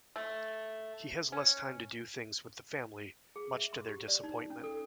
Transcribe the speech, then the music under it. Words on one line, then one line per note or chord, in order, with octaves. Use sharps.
He has less time to do things with the family, much to their disappointment.
A3
C#4
G#4
E5
C6
G4
D5
D#4
C#4
A4